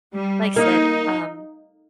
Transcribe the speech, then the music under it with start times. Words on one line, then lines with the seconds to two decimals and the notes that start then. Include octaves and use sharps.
like said, um,
0.15 G3
0.56 A#3 D#4